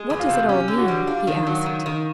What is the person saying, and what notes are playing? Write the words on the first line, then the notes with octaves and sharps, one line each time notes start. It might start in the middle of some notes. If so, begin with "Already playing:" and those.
"What does it all mean?" he asked.
Already playing: G#3
E2
F4
C3
C#4 G4
D3
F#4
G3
D4 F4
D#3
F#3
D#3
D#3